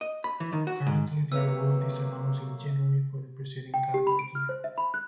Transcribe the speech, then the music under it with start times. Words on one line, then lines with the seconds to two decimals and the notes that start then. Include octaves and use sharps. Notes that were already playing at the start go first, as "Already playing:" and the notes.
Currently the award is announced in January for the preceding calendar year.
0.01 D#5
0.24 B5
0.40 E3
0.53 D#3
0.67 F#4
0.87 G#2
1.32 C3 F#3 A3 A#3 B4 C#5 F5 E6
3.74 G5
3.94 G4
4.07 B5
4.19 D7
4.35 F6
4.49 C5
4.64 E5
4.78 B5
4.94 F#6